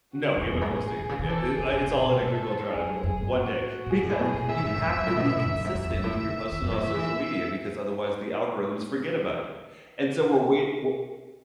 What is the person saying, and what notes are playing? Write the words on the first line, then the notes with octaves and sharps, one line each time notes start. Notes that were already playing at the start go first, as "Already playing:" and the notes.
No, we haven't posted anything yet. Eh, uh, it's all in a Google Drive. Or one day becau you have to be consistent when you're posting on social media because otherwise, the algorithms forget about you, and so, we're wait we're
F#4
G#2
F#2 G#4
E2
G#2
A2
B2
C#3
D#3
E3 A4
D#3
C#3 G#4
C#3
B2
B2
G#2 A4
F#2 G#4
F#2
G#2
A2 F#4
A2
G#2 G#4
F#2
A2
B2
B2
G#2
A2 E5
G#2
F#2
E2
F#2
A2
B2
A2
G#2
E2
F#2
G#2 E5
F#2
E2
F#2 E5
A2
D#3
D#3
E3
D#3
F#2
A2
D#3 E5
E3